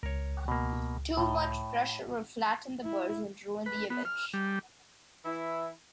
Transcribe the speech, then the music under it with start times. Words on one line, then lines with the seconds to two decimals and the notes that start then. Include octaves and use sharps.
Too much pressure will flatten the burrs and ruin the image.
0.03 C#2 A#4 C#5
0.48 B2 A#3
1.17 A2
2.84 E4
3.66 B4
3.90 B3
4.05 F6
4.33 G3
5.24 E3 E4